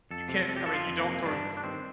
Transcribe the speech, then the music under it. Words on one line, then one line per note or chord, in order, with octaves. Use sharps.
you can't, I mean, you don't throw you
F2 A4
C3
F2 A4
G4
F3 A4
F4
F2
A#3
C3
G2 D4
G2
D4
D#3 C4